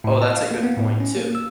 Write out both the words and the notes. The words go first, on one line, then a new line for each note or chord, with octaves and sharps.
Oh, that's a good point, too.
A2
A5
F5
A#3
B3
A2
C#4
A#3
E6